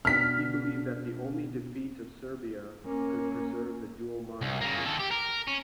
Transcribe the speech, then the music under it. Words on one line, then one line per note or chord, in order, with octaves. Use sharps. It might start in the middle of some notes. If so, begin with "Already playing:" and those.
He believed that only the defeat of Serbia could preserve the Dual Monarchy.
B2 B3 D4 F6 B6
A#3 C#4
C2
C#3 A#3
D#3 A4
G4
A#4
C#4